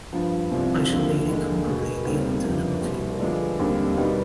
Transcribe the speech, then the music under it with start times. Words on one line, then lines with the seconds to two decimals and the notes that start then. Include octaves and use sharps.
I shall be incomparably beyond and above you all.
0.13 G2 F3 B3
0.51 C2 C3 F3
0.89 D#2 D3 F3
1.28 D#2 D3 G#3
1.67 B2 G#3 B3
2.04 D#2 D#3 G3 C4
2.44 F2 C3 F3 B3 D4
2.81 C2 B2 G3
3.20 D3 F3 G#3 B3 D4
3.59 D#2 D3 G3 C4
3.96 B2 G3 B3 D#4